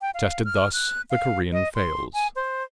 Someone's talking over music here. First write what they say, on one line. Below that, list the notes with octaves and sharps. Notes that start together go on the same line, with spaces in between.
Tested thus, the Korean fails.
G5
F5
F6
F#6
F5
D#5
C6
G#5
C5